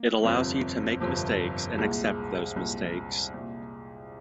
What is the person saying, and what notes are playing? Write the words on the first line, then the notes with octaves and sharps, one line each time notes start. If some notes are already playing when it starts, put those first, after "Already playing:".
It allows you to make mistakes and accept those mistakes.
Already playing: A#3
G1 F2 C3
G1 F2 C3
C2 A#2 G#3
C2 A#2
C2 A#2